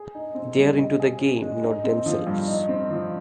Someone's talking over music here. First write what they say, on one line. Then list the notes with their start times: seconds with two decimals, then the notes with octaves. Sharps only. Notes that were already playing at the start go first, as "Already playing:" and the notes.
They're into the game, not themselves.
Already playing: G#4
0.15 D#4
0.35 C4
0.57 G3
0.77 D#5
1.00 G#4
1.20 C#4
1.42 G#3
1.63 D#4
1.84 C4
2.06 F3
2.27 G2
2.48 D#4
2.68 C4
2.91 F3